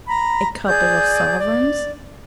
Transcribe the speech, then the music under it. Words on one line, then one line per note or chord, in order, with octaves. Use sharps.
'A couple of sovereigns.'
A#5 B5
G#4 D5 G6
D5